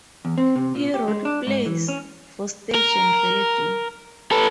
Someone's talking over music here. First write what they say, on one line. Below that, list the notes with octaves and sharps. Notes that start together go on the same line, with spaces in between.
He wrote plays for stage and radio.
E2
C4
C3
A#2
G4
G#3
D4
G#2
E3
C#4
A#4
A4 B4